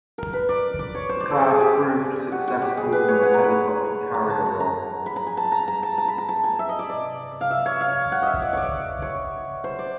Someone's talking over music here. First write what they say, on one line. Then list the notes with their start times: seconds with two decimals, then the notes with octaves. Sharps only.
The class proved successful in the helicopter carrier role.
0.18 A#4
0.33 B4
0.49 D5
0.79 D5
0.95 C#5
1.09 C5
1.20 D5
1.31 A4
1.40 G#4
1.51 G#4
1.61 G4
2.32 F#4
2.48 F#4
2.62 G4
2.77 G#4
2.93 B4
3.08 C#5
3.23 F#5
3.34 A#5
3.44 B5
4.14 A#5
4.30 A5
4.46 A#5
4.60 A#5
5.06 B5
5.16 A#5
5.26 G#5
5.37 A5
5.52 A#5
5.68 A#5
5.83 A5
5.98 A#5
6.08 B5
6.18 A#5
6.29 A5
6.44 G#5
6.59 E5
6.69 D#5
6.79 D5
6.89 D5
7.41 F5
7.50 E5
7.66 C#5
7.81 F5
8.12 F#5
8.22 D#5 E5
8.42 D5
8.53 C#5 D5
9.02 C#5
9.64 C5
9.79 D5